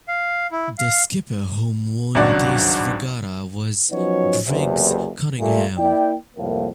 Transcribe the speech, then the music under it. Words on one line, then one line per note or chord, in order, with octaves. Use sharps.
The skipper whom won this regatta was Briggs Cunningham.
F5
E4
F5
G#1 C#2 G2 F#3 D5 F#5
F3 F#3 B3 C#4 D#4 C#5
F#1 E2 C3
G2 A#2 A3
A#3 E4 D5 G5
C2 F2 A2 A#3